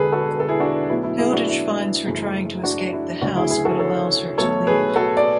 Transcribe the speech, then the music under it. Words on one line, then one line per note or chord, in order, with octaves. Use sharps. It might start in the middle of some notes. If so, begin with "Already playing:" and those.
Hilditch finds her trying to escape the house but allows her to leave.
Already playing: E1 E2 D3 G#4 A4 B4
F#4 A4
G#4
A4
E4 G#4
D4 F#4
B1 B2 F#3 A3 E4
E4
E4 G#4
D4 F#4
E4
F#1 F#2 E3 A3
D4 F#4
E4
D2 C#3 F#3 D4 F#4
E4 G#4
E4 G#4
F#4 A4
A4 C#5
B1 B2 F#3 A3 A4 C#5
G#4 B4
F#4 A4
D5